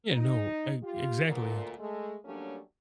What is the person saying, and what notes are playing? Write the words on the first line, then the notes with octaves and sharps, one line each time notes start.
Yeah, no, e exactly.
D#4
F4 G4
D2 A#2
G#3 A3
F#3 G3 A3 A#3 C#4 D4